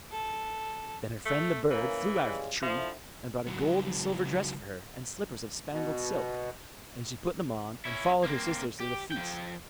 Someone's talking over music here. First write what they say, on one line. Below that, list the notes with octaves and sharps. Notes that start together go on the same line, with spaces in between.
Then her friend the bird flew out of the tree, and brought a gold and silver dress for her, and slippers of spangled silk; and she put them on, and followed her sisters to the feast.
A4
A3
E3 A#3 C#4
C#3 G3 G#3
D3 F3 C4 E4
C#2 F#3
B2
C#4 E4
A#3 C4
G4
F3 G5